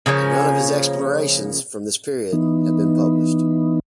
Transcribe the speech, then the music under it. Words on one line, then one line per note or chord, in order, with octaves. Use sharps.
None of his explorations from this period have been published.
C#3 F3 A#3 C#4
E3 B3 D#4